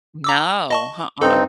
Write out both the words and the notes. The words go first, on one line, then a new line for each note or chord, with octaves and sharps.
No, nuh-uh.
A#5 D6 E6
D#5 A5 C#6
G2 C4 D#4 A4